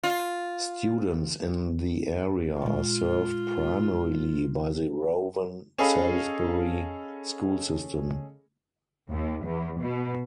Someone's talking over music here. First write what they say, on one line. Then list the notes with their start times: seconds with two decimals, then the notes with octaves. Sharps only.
Students in the area are served primarily by the Rowan-Salisbury School System.
0.03 F4
2.62 A#2 G#3 F4
5.78 C#4 G#4 A4 D#5 F5 B5
9.10 D#2
9.44 E2
9.80 B2